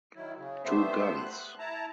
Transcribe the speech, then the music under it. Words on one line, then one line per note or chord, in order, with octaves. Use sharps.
Two guns.
D#3 F#3 E4
C#3
G3 A3 B3 C5 E5
F#6
E4 A5 A#5